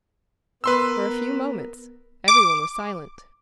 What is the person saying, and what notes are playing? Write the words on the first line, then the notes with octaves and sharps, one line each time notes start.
For a few moments every one was silent.
B3 A#4 B4 C6 E6
D6